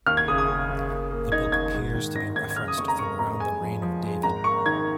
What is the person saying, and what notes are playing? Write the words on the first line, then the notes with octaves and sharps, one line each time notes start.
The book appears to be referenced from around the reign of David.
D#2 F6
G#6
C#3 D#6
D#6
C#3
C#3
A#3
A#3
D#4 G#6
D#2 G#6
G#2
D#3
G#1 A#6
D#3 G#6
G#6
C#3 F6
D#6
F1 C#6
A#5
A#3 C#6
F1 A#5
G#3 G#5
F3
F3
G#3
G#1 A#5
A#3 C#6
D#3 G#6